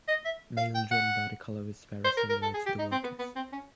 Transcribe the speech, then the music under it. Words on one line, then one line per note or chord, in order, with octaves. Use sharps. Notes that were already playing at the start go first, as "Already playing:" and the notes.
Male drone body colour is very similar to the workers.
D#5
E5
F5
G5
F#5
C5
A#4
A#4
A4
G#4
G4
D#4
C4
B3
B3
C4
C#4